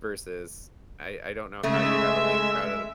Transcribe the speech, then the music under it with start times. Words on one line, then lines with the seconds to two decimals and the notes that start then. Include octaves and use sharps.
versus I I don't know how you have a lame crowd at
1.63 C#3 G#3 A3 E5